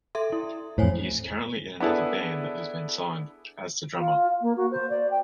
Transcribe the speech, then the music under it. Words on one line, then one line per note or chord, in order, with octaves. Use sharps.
He is currently in another band that has been signed, as the drummer.
A4 E5 C6
E4
F2 A2 C5 C#5 G#5
B3 D4 E4 G#4 A4
F4
A#3
F#4
C5
D5
G5